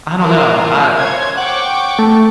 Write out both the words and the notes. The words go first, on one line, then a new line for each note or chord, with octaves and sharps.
I don't know. I
F4 A#4
C5 C#5 G#6
F#5 G5 C#6 D6
A3